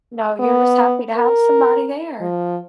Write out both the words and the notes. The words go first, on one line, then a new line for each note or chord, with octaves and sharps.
No, you're just happy to have somebody there.
B3
A#4
F3